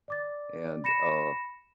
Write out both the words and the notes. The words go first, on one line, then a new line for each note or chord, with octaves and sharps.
and, uh,
D5 D6 A6
B5 A#6 C#7 E7